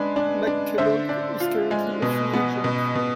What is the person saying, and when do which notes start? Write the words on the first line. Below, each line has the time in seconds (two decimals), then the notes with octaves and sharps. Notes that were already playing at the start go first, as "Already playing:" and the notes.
McCullough is currently a free agent.
Already playing: G#3 D4 B4
0.16 D4
0.47 D4
0.78 D3 C5 E5
1.09 D4
1.40 F4
1.71 G#3
2.02 B2
2.33 B3
2.64 B2
2.95 B2